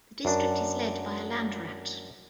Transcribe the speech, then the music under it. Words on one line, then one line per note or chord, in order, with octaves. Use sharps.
The district is led by a "Landrat".
F#2 D4